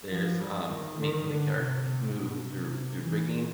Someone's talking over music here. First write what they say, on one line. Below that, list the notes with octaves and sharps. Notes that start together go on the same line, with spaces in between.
there's, um, making the characters move through through rigging.
F3
G3
D#3
D#3
D3
C3
C3
B2
C3
E3